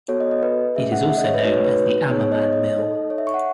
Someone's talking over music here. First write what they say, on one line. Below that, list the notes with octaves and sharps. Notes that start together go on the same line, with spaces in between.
It is also known as the Ammerman Mill.
B3 F#4 A4 C#5
D#5
D#5
B4
A3 C#4 G#4 E5
F#5
E5
D#5
C#5
B4
A3 D#4 F#4 C#5
C#5
B4
B3 D#4 G#4 C#5
C#5
D#5
C#5
D#5
D#4 A4
C#5
E5
C#6
F#5